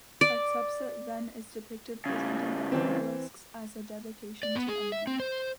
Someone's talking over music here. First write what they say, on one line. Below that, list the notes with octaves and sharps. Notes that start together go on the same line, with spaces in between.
Hatshepsut then is depicted presenting the obelisks as a dedication to Amun.
D5
C#3 G3
E3 C4
D5
B3
G#4
E5
C4
C5